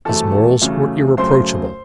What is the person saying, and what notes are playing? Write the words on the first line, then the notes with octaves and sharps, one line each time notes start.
His morals were irreproachable.
E2 C3 F#3 A3 A4 A5
E2 C#3 F#3 A3
F#2 C#3 F#3 A3 C5 C6